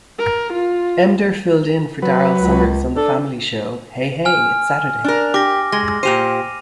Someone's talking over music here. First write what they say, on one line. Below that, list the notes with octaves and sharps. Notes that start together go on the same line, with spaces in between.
Emdur filled in for Daryl Somers on the family show "Hey Hey It's Saturday".
A#4
F4
F#3 B4
C#2
D4 A4
G#5 F6
D4 A#4
G4 D6 A#6
G#3 A#6
A#2 G4 C5 D#7 F7